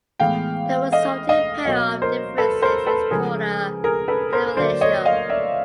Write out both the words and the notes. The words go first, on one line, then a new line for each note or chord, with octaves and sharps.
The resulting pair of differences is called a differential.
A2 E3 G#3 B3 F5 G5
D#5 F5
D#5 F5
B2 F#3 A#3 C#5 D#5
A#4 C5
A4 B4
A#4 C5
A4 B4
C#3 F3 G#3 G#4 A#4
G#4 A#4
A4 B4
A#4 C5
D3 F#3 A#3 C5 D5
C#5 D#5
D#5 F5
D5 E5